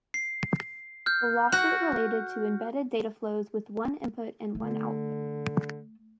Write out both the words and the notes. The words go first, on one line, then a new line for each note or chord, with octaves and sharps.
The lawsuit related to embedded data flows with one input and one output.
C7
F6 G6
F#4
D3 A3